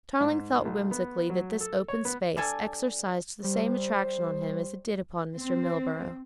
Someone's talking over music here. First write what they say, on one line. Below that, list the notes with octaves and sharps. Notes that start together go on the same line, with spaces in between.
Tarling thought whimsically that this open space exercised the same attraction on him as it did upon Mr. Milburgh.
G#2
B1
B3
F#3
A4
C#5
B3
G3 D4 A4 G#5
G3 C5
C4